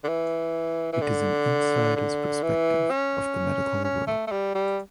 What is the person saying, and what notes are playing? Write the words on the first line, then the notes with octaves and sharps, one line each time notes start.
It is an insider's perspective of the medical world.
D3
E3
E3
D3
D3
E3
C#4
C#4
A3
A3
G3
G3